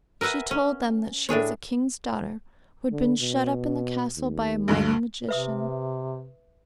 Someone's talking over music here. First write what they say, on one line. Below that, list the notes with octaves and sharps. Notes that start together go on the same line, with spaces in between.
She told them that she was a king's daughter, who had been shut up in the castle by a mighty magician.
A#4 B4 E5 F#5 G#5
C#4
A2 D4 G#4 C#5
D3
B2
D#2
D2 G2 D3
C3 B4 E5 D#6